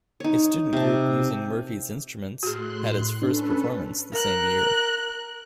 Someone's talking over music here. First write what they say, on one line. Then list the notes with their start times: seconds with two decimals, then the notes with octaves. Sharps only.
A student group using Murphy's instruments had its first performance the same year.
0.20 D#4 C#5
0.73 C3 A5
2.43 A2 F#4 G#4 C6 F#6
3.22 C#4 D4 A4 B4
4.12 A#4 F#6